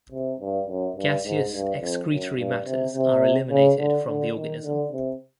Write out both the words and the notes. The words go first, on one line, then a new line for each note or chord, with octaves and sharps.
Gaseous excretory matters are eliminated from the organism.
C3
G2
F#2
G2
G#2
G2
F2
F#2
G2
C3
C3
C#3
D3
D3
D#3
D3
C3